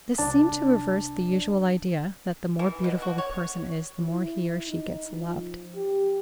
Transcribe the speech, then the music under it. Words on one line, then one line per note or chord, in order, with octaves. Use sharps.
This seemed to reverse the usual idea, that the more beautiful the person is the more he or she gets loved.
C2 D4 D5 A5
E3
B2
F#4
C#5
E4
D#4
F3
G4